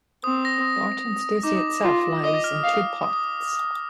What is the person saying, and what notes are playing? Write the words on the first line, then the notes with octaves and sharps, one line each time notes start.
Barton Stacey itself lies in two parts.
C4 D#6
A#6
D#4 D6
F4
D#5 D#6
F6
F5
D#6
D#6